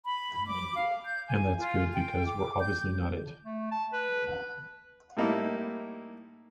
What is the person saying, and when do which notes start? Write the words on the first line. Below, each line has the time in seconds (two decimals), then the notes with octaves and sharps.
And that's good, because we're obviously not it.
0.05 B5
0.46 D6
0.75 F5
1.04 G6
1.28 G#5
1.58 F4
1.93 G5
2.27 D6
2.59 G6
3.45 A3
3.71 A5
3.93 B4
5.17 A2 G3 A#3 D#4 E4